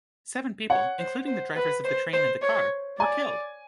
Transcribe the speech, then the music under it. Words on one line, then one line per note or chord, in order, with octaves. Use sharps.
Seven people, including the drivers of the train and the car, were killed.
C#5 F#5
C5
C5
B4
C5
C5
C#5
D5 G#5